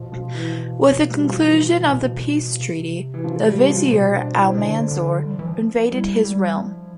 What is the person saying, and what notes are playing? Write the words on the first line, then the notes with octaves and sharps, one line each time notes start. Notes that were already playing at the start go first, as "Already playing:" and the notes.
With the conclusion of the peace treaty, the vizier Almanzor invaded his realm.
Already playing: B2 F3
F3
E3
G3
F3
E3
F3
E3
C3
B2
C3
E3
F3
G3
F3
B2 C4
D4
E4
C4
D3 D4
D3
G3
F3
E3
F3
G3 E4
G3
F3